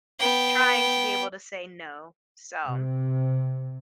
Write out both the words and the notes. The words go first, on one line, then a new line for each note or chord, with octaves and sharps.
trying to be able to say no, so
B3 G5
C3